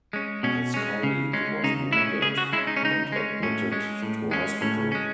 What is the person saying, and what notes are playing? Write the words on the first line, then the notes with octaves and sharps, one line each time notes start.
His colleague was wounded and admitted to hospital.
G#3 C#4
B2 C#4
G#3 C#4
C#3
G#3 C#4
C#3 D#4
G#3 C#4 E4
C#3 G#4
F#4
G#3 C#4 E4
D#4
C#4
C#3 D#4
G#3 C#4
A2 C#4
G#3 C#4
A2
G#3 C#4
A2 C#4
G#3 C#4